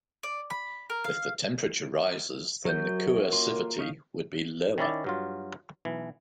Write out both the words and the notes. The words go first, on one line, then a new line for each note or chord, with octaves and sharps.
If the temperature rises then the coercivity would be lower.
D5
B5
A#4
F5
F#2 F#3 G6
A#3 F4
C#4 D#4 F5
D#3 C#4 E4 D5
G2 F#3 F4
B1 E3